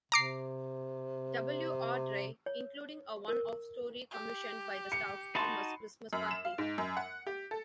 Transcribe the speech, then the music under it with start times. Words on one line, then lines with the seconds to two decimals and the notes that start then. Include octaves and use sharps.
W. Awdry, including a one-off story commissioned by the staff, "Thomas' Christmas Party".
0.12 C3 A#5 D6 C7
2.46 C#5
3.28 A#4
4.11 G4
4.92 C#7
5.35 D#4 F#4 A5 B5 C6
6.13 F#2
6.31 E7
6.45 F5
6.58 G#2
6.78 F#2
6.97 F#5
7.27 G4
7.51 A4